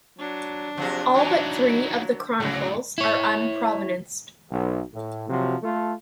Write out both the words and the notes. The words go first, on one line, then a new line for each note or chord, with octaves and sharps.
All but three of the chronicles are unprovenanced.
F#3 D4
C3 F3 F#3 G#4
E3 F#3 D#4 E4
D2 A2 C#3 F#3
E4 C#5
B1
A2
C3 F3 F#3
A3 F4 A4